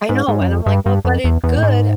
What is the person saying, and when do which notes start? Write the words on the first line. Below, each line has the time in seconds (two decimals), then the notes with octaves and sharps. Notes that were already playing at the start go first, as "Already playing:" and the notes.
I know, and I'm like well, but it's good.
0.09 G#2
0.28 G#2
0.41 F#2
0.47 F2
0.66 G2
0.86 G2
1.05 F2
1.24 E2
1.44 E2
1.58 A2
1.63 G#2